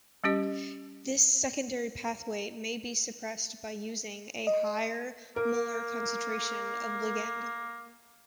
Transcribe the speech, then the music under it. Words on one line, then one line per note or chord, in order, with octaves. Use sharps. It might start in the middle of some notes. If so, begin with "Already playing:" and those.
This secondary pathway may be suppressed by using a higher molar concentration of ligand.
G3 C#4 G4 D#5
D#5
A#3 A#4